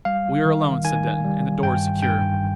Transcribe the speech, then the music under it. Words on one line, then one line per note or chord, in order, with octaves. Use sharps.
"We are alone," said Denton, "and the door is secure."
G3 F5
D#3
D#3 G#5
G3
G2 G5
G2 G5